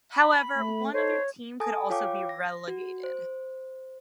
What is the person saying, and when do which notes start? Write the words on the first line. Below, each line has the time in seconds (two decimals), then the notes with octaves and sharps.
However, one other team could also be relegated.
0.13 B5
0.57 A3
0.93 D#4 A4 C5 C#5
1.60 A4 G#5 A5 D#6
1.90 F4 C#5 F5 G5 D6
2.29 A#6
2.68 F#4
3.04 C5